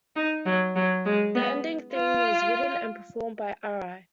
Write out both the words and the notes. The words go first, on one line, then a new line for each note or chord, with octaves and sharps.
The ending theme was written and performed by Arai.
D#4
F#3
F#3
G#3
B3
F4